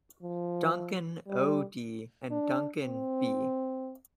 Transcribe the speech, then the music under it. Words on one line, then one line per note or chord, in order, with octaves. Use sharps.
Duncan, O. D. and Duncan, B.
F3
G3
D4
C4